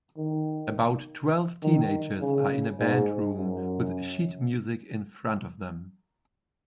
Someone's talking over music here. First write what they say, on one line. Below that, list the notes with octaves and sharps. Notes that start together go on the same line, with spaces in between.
About twelve teenagers are in a band room with sheet music in front of them.
D#3
D#3
C#3
G#2
F#2